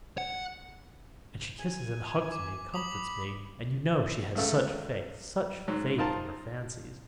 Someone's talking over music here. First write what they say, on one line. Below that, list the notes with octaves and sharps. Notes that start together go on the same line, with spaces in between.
And she kisses and hugs me, comforts me, and you know she has such faith, such faith in her fancies!
F#5
G#5
D6
B5 D#6 F#7
C#2 C#3 A3 E6
G#2 F#3
D#4 F4 A#4 C5 A5